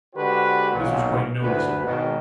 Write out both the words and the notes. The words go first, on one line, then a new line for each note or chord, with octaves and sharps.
This was quite noticeable.
D3 G#3 F#4 G4 B4 C5
B1 A#2
D2 B4
G#1 B2 D#3